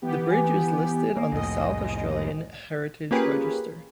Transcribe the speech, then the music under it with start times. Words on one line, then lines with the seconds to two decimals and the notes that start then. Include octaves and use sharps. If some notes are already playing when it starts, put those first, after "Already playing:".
The bridge is listed on the South Australian Heritage Register.
0.02 E3 B3 G4
0.31 G#5
1.17 A#3
1.32 C2 F2 A2 D#5
3.11 A#3 C#4 F4 G4 G#4 B4